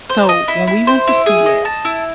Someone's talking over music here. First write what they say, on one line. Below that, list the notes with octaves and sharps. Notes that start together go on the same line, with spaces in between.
So when we went to see it,
C5
D#5
E4
E4
C5
E4
G#4
D#5
A5
E4